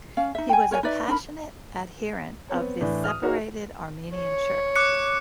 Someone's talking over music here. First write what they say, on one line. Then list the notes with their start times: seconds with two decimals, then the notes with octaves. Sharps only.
He was a passionate adherent of the separated Armenian Church.
0.17 C#4 F5
0.35 D#4 E5
0.49 G5 G#5
0.71 A#4 C#5 G5 G#5
0.83 D#4 B4 D5 E5
1.08 D4 D#4 A#4 B5
2.49 B3 C4 C#5
2.81 A2 E3 D4
3.04 D#6 F6
3.23 D#4 F#4 G#4 A#4 C#5
4.16 C#5
4.76 D6 F#6 C#7